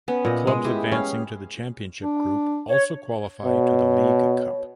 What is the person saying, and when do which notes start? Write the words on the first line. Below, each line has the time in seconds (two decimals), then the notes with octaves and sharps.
Clubs advancing to the Championship Group also qualify to the league cup.
0.08 B3 C#4
0.25 A#2 D#5 F#5
0.47 G#3 D#5
0.64 E4 G4 G#4
0.92 C#4 F5
2.02 D4
2.69 C#5
3.45 B2 C#5